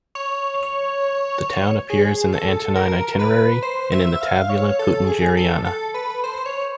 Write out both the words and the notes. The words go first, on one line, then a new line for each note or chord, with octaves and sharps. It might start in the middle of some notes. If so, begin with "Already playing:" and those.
The town appears in the Antonine Itinerary and in the Tabula Peutingeriana.
C#5
G#4
A4
A#4
B4
C5
E5
F5
C#5
A4
G#4
A4
A4
B4
C5
C#5